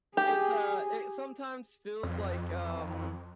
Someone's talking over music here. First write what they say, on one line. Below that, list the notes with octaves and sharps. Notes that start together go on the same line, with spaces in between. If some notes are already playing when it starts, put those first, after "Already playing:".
It's, uh, it sometimes feels like, um,
G4 G#4
F2